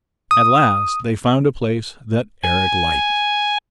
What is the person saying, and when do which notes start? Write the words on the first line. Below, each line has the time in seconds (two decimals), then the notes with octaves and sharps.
At last they found a place that Eric liked.
0.31 D#6
2.44 G#5